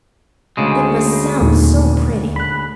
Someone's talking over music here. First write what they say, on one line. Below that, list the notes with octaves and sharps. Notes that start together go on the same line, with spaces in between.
"It must sound so pretty!"
D2 C#3 G#3
D#2 A#2 D#3
B5 F#6